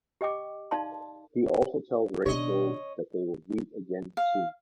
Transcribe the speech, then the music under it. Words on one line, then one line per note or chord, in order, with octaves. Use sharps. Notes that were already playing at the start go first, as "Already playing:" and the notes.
He also tells Rachel that they will meet again soon.
G4 D#5 G5 D6
D#4 D5 F5 A5 C6
B2 D#3 D4 C#5 D#5
F5